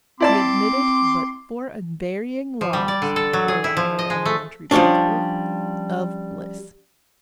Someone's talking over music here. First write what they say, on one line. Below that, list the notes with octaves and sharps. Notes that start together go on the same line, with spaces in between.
He admitted but four unvarying laws, or rather elementary principles, of Bliss.
C4 E4 D5 A5 C6 D6
F3
G3
D5
D3
A4
F#3
G#4
E4
F3
D#5
G#3
A3
F3 G3 A#3 C#4 D4